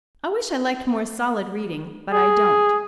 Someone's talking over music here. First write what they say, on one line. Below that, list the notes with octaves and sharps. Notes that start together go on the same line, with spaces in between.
I wish I liked more solid reading; but I don't.
G#4